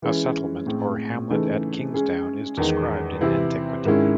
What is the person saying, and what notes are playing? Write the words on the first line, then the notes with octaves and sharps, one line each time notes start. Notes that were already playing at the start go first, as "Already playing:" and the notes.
A settlement or hamlet at Kingsdown is described in antiquity.
E3 G#3 C#4 E4
A2 G#3 C4
C#3 E3 A3 D#4 G#4
G#3 C#4 G#4
E2 D#3 G#3 D#4
C3 E3 C4 E4
G#2 D#3 G#3 C#4 E4